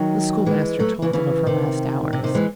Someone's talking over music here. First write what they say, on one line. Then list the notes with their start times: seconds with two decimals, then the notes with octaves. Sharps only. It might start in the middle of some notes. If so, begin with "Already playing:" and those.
The schoolmaster told them of her last hours.
Already playing: D#3 F#3
0.46 E3 G#3
0.80 F#3 A3
1.02 C#3 E3
1.13 C#3 E3
1.46 C3 D#3
2.13 C3
2.24 C3 D#3
2.35 E3 G#3